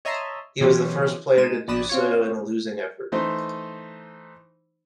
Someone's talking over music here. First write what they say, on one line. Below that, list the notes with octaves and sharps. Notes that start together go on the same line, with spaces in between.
He was the first player to do so in a losing effort.
C#5 D#5 E5 A5 A#5 C6
B2 E3 F#3 C4 C#4 G4
G#3 D#4 D#7 E7
A#1 D5 B5 D#6 F#6 E7
C4 F4 C#5
E3 A3 D#4 C5